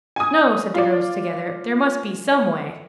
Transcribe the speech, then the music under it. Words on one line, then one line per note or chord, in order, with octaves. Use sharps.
'No,' said the girls together, 'there must be SOME way.'
G#5 D#6
F4 D5